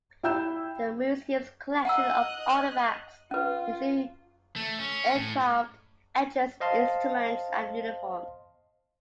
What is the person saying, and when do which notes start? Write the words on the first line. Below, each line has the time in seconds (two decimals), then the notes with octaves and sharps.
The museum's collection of artefacts includes aircraft, engines, instruments and uniforms.
0.23 E4 G5 E6 G6 E7
1.85 D#5 F#5 A#5 E6 F#6
3.31 C#4 F4 B4
4.56 A3
4.79 C#4
5.15 A2
6.60 C5 D#5 F5 A5 C6